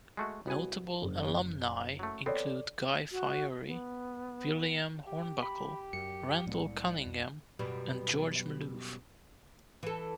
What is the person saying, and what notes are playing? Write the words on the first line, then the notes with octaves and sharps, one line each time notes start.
Notable alumni include Guy Fieri, William Hornbuckle, Randall Cunningham, and George Maloof.
G#3 A3 F#4
C2 B3 F#4 G#5
F#1
F#3 A3
B3 C4 A4 C#5 D5
F#4
B3
G4
B5
F#2 C#7
C2 A2 G#3 B3
F2
F#2 B2 G3
E3 A4